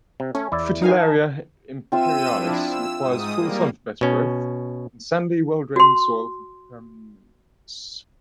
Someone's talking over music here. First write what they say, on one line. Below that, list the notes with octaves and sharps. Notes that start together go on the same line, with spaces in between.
"Fritillaria imperialis" requires full sun for best growth, and sandy, well-drained soil for permanence.
C3
A3 C#4
E2 E4 D5
D#3 E3 D#4 F5 G#5
A5
C4 F4 E5 E6 D#7
F3 D4 E4
E6
G#2 D#6
G3 A#3
B2 C#4
F#4 C6